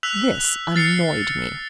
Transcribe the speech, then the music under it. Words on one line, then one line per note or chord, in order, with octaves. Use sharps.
This annoyed me.
E6 F#6 B6 F7
F6 A6 C7 C#7 F7